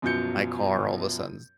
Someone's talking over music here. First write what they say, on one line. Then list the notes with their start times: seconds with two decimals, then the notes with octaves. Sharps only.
my car all of a sudden s
0.02 F#2 B2 F3 F#3 G6 C#7